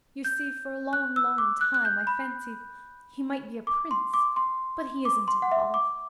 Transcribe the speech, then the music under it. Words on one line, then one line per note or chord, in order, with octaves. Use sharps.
You see, for a long, long time, I fancied he might be a prince, but he isn't at all.
G6
F#6
E6
D6
F#6
F#6
G6
B5
D6
C6
D6
C6
D6
C6
F#5
E5
D6